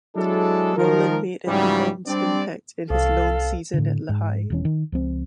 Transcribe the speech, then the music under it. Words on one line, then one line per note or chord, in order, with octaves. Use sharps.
Rowland made an immense impact in his lone season at Lehigh.
F#3 G#3 D4 E4 G#4 A4
D#3 F3 A#4
G#2 C#3 E3 F#3 G3
G3 C4 D4 D5
C2 A4 F5
A2 D3
G#2
E1 E3 C#4
D#3
C#2 F3 C4